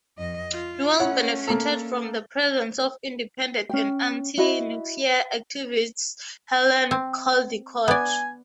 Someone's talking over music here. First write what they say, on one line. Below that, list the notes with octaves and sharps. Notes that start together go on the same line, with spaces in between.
Newell benefited from the presence of independent and anti-nuclear activist Helen Caldicott.
F2 D#5
F4
A3 C#4 C#5 F#5
A#3 A4
C#4 G5
E4 F#4 D#5 B5
C4
B3 D5 G#5